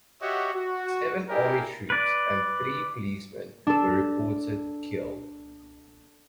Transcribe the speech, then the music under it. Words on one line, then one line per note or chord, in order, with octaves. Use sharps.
Seven army troops and three policemen were reported killed.
F#4 G4 C#5 D#5 E5 F#5
F#4
A#3 D4 E4 G4 G#4 A#4
B4 D5
D4 A4